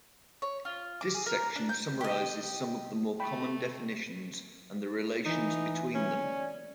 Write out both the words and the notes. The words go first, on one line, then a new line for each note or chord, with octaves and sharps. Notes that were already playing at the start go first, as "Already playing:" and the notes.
This section summarizes some of the more common definitions and the relations between them.
C#5
F4
D6
G#4
A#4
D4
G6
G4 D#5
A3 G5 B5
E3 D#4
C#4
D5